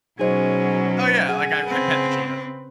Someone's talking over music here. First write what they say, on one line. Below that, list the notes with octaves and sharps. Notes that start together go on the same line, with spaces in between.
Oh yeah, like I I pet the cheetah.
B2 F#3 C#4 D#4 G#4 C5 D#5
G#4 F#5
C#3 C4 B4